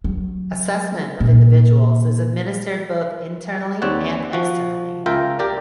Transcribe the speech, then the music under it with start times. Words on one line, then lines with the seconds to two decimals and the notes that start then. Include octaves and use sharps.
Assessment of individuals is administered both internally and externally.
0.04 F#3
1.20 A#2
3.82 D#2 C4 G4 C#5 D5 F#5
4.33 F3 F#4
5.06 C#2 F4 A#4 E5 G5 A#5
5.39 G4 A#4 D5